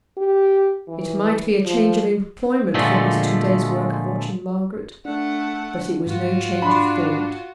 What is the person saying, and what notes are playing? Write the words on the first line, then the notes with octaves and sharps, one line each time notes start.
It might be a change of employment from his two days' work of watching Margaret, but it was no change of thought.
G4
E3
F3
A#2 D3 F3 G#3 A3
A3 D4 F#5
G#2 F4 F#4
D4 B5 C6